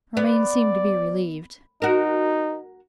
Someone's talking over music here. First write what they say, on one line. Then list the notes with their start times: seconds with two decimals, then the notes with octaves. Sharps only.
Romayne seemed to be relieved.
0.17 B3 D5
1.82 D#4 F#4 A#4